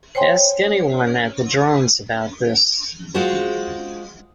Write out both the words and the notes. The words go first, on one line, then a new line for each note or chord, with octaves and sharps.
Ask anyone at the Drones about this.
C5 C#5 G5 G#5 C6
G#3 F4 F#4 G#4 C5